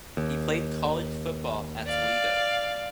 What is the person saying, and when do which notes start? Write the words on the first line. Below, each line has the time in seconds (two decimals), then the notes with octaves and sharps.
He played college football at Toledo.
0.17 D#2
1.86 D5 F5